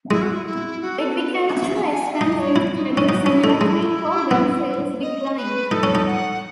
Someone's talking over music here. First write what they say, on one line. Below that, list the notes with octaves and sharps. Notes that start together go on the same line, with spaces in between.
It became too expensive to produce and electronic organ sales declined.
G#3 E4
F#4
E4
E4
F#4
A4
B4
D#5
E5
A5
G#5
F#5
E5
D#4 D#5
C#5
E4
D#4
E4
C#4
D#4 F#4
C#4 E4
D#4
A3 E4
G#3
B3
D#5
B4
D#4 A4
C#4
D#4
F#5